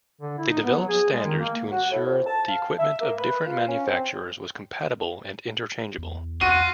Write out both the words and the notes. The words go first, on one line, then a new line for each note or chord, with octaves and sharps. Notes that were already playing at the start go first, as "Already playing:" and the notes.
They developed standards to ensure the equipment of different manufacturers was compatible and interchangeable.
D3
E4
D#4
B3
F#3
G#4
G#3
D#3
A#3
F#4
A2
F2
A5
F5
E5
A#3
B4
F4
C#4
C4
E2
F4 F#4 D#7